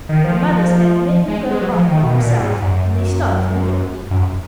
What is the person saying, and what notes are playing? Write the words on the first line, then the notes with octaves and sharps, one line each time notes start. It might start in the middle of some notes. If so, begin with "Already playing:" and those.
Their mothers had let them go off by themselves, and they stopped to look at the Peacock.
D#3
F3
G#3
G#3
F#3
F3
D#3
B2
A#2
G#2
F#2
F#2